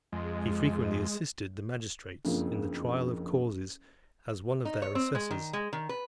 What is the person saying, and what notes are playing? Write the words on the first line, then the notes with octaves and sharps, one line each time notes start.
He frequently assisted the magistrates in the trial of causes, as one of their assessors.
F2 G#3
F#1 F2 D3 A#3 F4
D#4
C#5
C4
G#3
D#3
G#3
D#3
B4